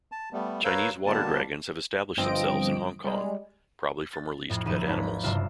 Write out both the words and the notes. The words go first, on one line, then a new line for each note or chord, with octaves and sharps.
Chinese water dragons have established themselves in Hong Kong, probably from released pet animals.
A5
G3 A3 B3
A#4 B4 C#5 F5 E6 G6
B2 D3 G3 A#3 A5
G1 G2 F3 C4 D#5 D7
G3 G#3
A6
F2 A2
F#1 D#2 F3 E4 D#7 E7
G#1 G#3 G#4 B4 A5
F#1 G2 C3 F4 E5 E7